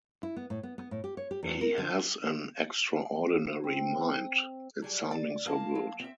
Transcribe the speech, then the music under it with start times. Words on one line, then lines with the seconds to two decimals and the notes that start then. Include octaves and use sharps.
He has an extraordinary mind - it's sounding so good.
0.23 E4
0.36 B3
0.50 A2
0.63 B3
0.78 B3
0.91 A2
1.04 G4
1.17 C#5
1.31 G4
1.43 E2
1.61 A#4
1.78 D3
3.64 C4
4.82 F#3 G3 G#4
5.11 D5
5.46 A#3 G#4 A#4 F5 A5
5.75 F#3
6.00 C4 E5